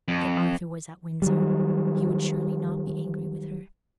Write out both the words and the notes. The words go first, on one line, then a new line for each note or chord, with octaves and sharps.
Yet Arthur was at Windsor; he would surely not be angry with her.
F2
D#3 F#3 G3